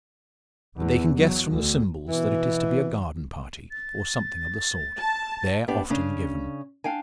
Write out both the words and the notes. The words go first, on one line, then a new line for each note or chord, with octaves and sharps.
But they can guess from the symbols that it is to be a garden party, or something of the sort, there often given.
E2
F#3
D2
B2 E3
A6
A5
B3 D4 G4 D5
C#3 C#4 D4
D4 F5 G5 G#5